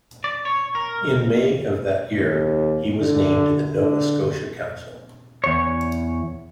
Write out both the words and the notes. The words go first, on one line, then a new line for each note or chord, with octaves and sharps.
In May of that year, he was named to the Nova Scotia Council.
D5
C#5
A#4
D#2
D3
D3
E2 C#5